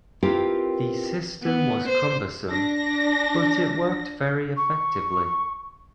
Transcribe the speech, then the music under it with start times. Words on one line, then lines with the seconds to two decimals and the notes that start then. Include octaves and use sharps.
The system was cumbersome, but it worked very effectively.
0.23 C4 E4 F4 G4 A#4 B4
1.43 B3
1.89 C5
2.49 D4 A#6
4.57 C#6